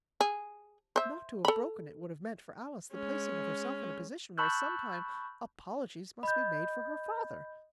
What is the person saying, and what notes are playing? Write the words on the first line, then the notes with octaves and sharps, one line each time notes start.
Not to have broken it would have meant, for Alice, the placing of herself in a position where, sometime, apologies must be made for her father.
G#4
C5 E5
A4 B5
G#3 C#4
A5 B5 C#6 E6 F#6 G6
D#5 B5 G6